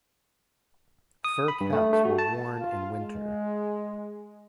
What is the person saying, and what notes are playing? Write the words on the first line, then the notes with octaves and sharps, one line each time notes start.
Fur caps were worn in winter.
D#6
B5
G2
A3
A3
F#4
A5
F4
G#3